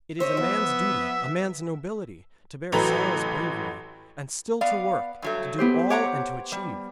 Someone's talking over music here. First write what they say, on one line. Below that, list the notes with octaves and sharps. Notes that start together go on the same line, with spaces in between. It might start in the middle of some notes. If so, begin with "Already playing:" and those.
It is a man's duty, a man's nobility, to bear sorrows bravely, and still to work, to do all and to achieve.
C5 C#5 D#5 E5
F3 B3
A1 F#3 A4 B4 A#5 F7
B3 D5 F5
G2 F#3 A3
B3 G4 C5
C#5 F#5 A#5 D6
G3